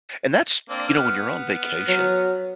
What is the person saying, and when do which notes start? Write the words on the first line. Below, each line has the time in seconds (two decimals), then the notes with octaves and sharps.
And that's you know, when you're on vacation
0.70 A#3 C4 D4
0.88 B3 F6
1.88 F#3